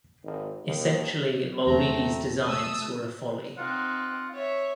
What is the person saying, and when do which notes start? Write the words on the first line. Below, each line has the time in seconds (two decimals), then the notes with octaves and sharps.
Essentially Mulready's designs were a folly.
0.24 G#1
0.64 D#2
1.66 E2 D3 A3 C4 A#5
2.44 A3 A5 D#6 E6
3.58 C4 D#4 F4 F#5
4.33 C#5 E5